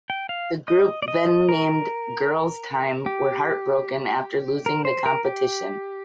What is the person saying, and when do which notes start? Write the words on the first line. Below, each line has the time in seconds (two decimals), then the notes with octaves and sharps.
The group, then named "Girl's Tyme" were heartbroken after losing the competition.
0.10 G5
0.29 F5
0.68 D#5
1.02 D5
1.08 D#5
1.49 A#4
3.06 G4
4.66 A#4
4.85 C5
5.06 A#4
5.25 G4